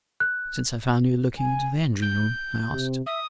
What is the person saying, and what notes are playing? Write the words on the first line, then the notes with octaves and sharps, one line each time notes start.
"Since I found you looking into the engine-room?" I asked.
F#6
G#5
G6
C3
E5 D#6